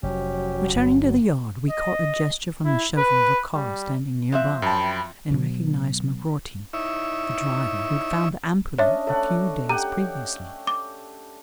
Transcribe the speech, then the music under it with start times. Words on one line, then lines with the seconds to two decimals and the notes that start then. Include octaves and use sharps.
Returning to the yard, we caught a gesture from the chauffeur of a car standing near by and recognized McGroarty, the driver who had found the ampulla a few days previously.
0.03 F1 F#3 C#4 G4
0.75 G1 G2
1.69 D#5
2.65 E4
2.97 B4
3.54 G3
4.32 F3 C4 E5 F#6
4.62 F#2 G5 A5 B5
5.30 B2 F#3
6.73 D#4 E4 C#5 E5
8.78 C#4 D4 C#5 D#5 E5
9.07 A3 A4 F#5
9.69 G4 F#5 G5 A#5
10.67 D6